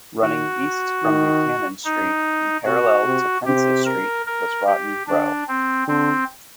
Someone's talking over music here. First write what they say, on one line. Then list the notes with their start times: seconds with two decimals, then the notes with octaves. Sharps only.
Running east from Buchanan Street and parallel to Prince's Street was Rotten Row.
0.22 D#3 F#4
1.03 D#3
1.84 D#4
2.65 C3 F#4
3.05 C3
3.45 C3 G4
3.85 A#4
4.26 A#4
4.66 G4
5.07 D3 D4
5.48 C4
5.87 D3 C4